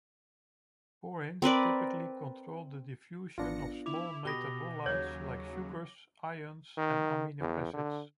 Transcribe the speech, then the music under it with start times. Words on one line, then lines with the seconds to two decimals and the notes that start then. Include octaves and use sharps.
Porins typically control the diffusion of small metabolites like sugars, ions, and amino acids.
1.42 C4 A#4 B4 D5
3.38 G#1 B3 D4 F4 A#6 C#7
3.86 E4 D6 F7
4.25 B2 G4 B5 D#6 A#6 G7
4.86 D#2 C#3 F#3 C#5 G#6
6.77 D#3
7.40 E2
7.73 D3